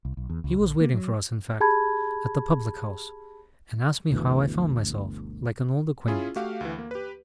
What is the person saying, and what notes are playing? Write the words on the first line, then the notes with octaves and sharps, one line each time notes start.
He was waiting for us, in fact, at the public-house; and asked me how I found myself, like an old acquaintance.
C2
B1
E2
C#2
A#1
A#3
F#3
G4 G#4 A5 B5 G#6
G1 D2 B2 E3
C#4 E4 F4 G#4
A3 F#4 G4 F5
D2 E3
A#3
G4 B4